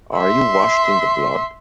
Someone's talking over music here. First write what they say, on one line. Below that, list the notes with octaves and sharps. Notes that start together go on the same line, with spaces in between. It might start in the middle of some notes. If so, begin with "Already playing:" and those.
Are You Washed in the Blood?
E5 C6